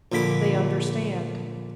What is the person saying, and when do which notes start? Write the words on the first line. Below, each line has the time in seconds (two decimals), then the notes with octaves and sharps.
They understand.
0.12 A#1 A#2 D3 B5 D6